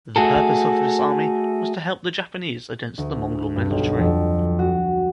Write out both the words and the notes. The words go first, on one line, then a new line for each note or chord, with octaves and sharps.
The purpose of this army was to help the Japanese against the Mongol military.
A3 F#4 G#4 A4
D2
G2
B1
F2
F#4